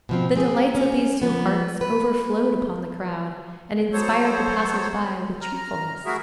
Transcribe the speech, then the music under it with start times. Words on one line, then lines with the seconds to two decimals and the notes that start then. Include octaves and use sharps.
The delights of these two hearts overflowed upon the crowd, and inspired the passers-by with cheerfulness.
0.09 B2 F3 C4
0.36 C4 G#4
0.75 C#4
1.22 F3 B3
1.81 B4
3.93 F#3 B3 A4 C5 C#5
5.42 A#5 F6
6.05 A3 E4 F#4 G#4 A#4 E5